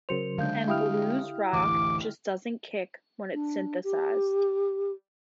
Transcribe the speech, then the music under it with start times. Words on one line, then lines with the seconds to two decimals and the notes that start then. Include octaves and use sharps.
And blues-rock just doesn't kick when it's synthesized.
0.09 C#3 F#3 A#4 C5 C#7 F7
0.38 D3 G#3 D4 F5 G6
0.68 E4 G4 F5 G5 D#6 F6
1.53 A1 D2 E3 D6
3.34 D4
3.84 G4